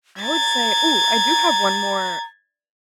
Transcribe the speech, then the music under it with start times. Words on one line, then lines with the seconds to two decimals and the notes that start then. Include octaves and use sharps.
I would say ooh, I do have one more
0.22 A#5 G#6 A6